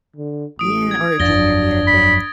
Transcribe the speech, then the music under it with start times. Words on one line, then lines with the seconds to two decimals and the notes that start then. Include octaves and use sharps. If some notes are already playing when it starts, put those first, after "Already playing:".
yeah, or a junior year thing.
0.16 D3
0.59 A1 D#6 D7
0.91 G#6
1.20 G1 F2 D4 A6 A#6 G7
1.87 B5